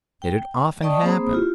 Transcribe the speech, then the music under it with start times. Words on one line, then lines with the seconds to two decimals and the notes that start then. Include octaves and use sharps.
Did it often happen?
0.22 G5
0.82 D5 D#5 G5 A5 C#6 D#6
1.03 A#3 C4 G#4 C5 B5 D#6
1.33 E4 F4 G4